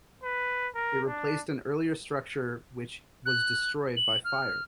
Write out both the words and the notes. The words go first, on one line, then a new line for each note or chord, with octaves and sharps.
It replaced an earlier structure which was destroyed by fire.
B4
A#4
D4
F#6
F#7
F6